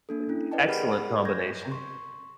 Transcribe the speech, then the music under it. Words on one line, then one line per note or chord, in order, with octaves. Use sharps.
Uh, d excellent combination.
A#3 D4 A4
C#4 E4
B4 D5 D#5 G5 A5
G4 G#4 A#4 F#5 B5 F6
G6 G#6 A#6
C6 C#6